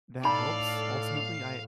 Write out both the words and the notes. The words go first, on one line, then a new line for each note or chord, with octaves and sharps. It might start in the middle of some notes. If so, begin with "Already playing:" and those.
that helps ultimately. I
A2 D#4 A4 D5 F5 A5 B5